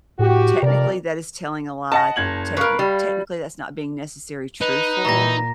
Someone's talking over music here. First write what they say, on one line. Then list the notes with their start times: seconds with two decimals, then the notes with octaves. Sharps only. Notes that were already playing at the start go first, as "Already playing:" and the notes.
technically, that is telling a lie, techni technically, that's not being necessary truthful,
0.19 A2 F#4 G4
0.62 F2 C3 A#4 D5
1.92 D#5 F#5 A5 A#6
2.16 F#1 G#6 F#7
2.57 A#4 B4 F5 C#6
2.79 G3
4.61 D#4 B4
5.05 A#2 E3 A#5 A#6